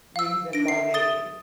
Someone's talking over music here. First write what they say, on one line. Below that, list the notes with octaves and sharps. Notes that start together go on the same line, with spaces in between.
reason why they
F5 E6
D4 A#6 D7
E5 C7
D#6 A6 G7